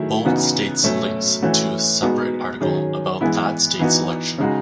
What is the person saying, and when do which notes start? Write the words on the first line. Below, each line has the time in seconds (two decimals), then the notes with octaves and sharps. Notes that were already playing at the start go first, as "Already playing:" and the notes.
Bold states links to a separate article about that state's election.
Already playing: D#3 F#3 A3 E4 G#4
0.25 C#3 E3 B3 D#4 F#4
0.83 B2 F#3 A3 C#4
1.42 E3 A3 C#4 F#4
2.02 B2 G#3 B3 D#4 F#4
2.61 D#3 F#3 C#4 G#4
3.21 E3 G#3 B3 E4
3.79 E3 B3 D#4 F#4
4.38 C#3 G#3 D#4 F#4